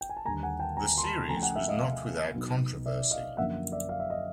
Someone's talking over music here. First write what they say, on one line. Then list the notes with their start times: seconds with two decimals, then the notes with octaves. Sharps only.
The series was not without controversy.
0.01 G5
0.09 G#5
0.17 A5
0.25 D#2 D3 G3 A#3 G#5 A#5
0.43 F#5 G#5
0.59 G5 A5
0.77 G#5 A#5
0.98 C6
1.03 A5 B5
1.29 C#3 F3 A3 G#5 A#5
1.37 G5
1.42 F#5 G#5
1.56 E5 F#5
1.68 D#5 F5
2.34 B2 F#3 B3 D#4
2.86 D5 E5
3.11 D#5 F5
3.37 F#2 D3 F3 A#3 E5 F#5
3.72 D5 E5
3.89 F5
4.00 E5
4.10 D#5